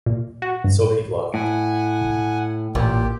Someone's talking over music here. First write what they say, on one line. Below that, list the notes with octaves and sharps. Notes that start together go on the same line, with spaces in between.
So he left.
A#2
F#4
G2
A2 F#5 G#5
A1 A#2 G4